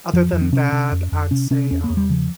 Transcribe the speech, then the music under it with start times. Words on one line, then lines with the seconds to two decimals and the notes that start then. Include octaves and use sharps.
other than that, I'd say, um,
0.13 F2 F3
0.32 F2
0.41 C4
0.52 C3 C#4
0.72 C3
0.92 F2
1.12 F2
1.31 C3 C#4
1.51 C3 C#4
1.71 E2 C#4
1.84 A#3
1.90 E2
1.97 G3
2.09 C#3 F3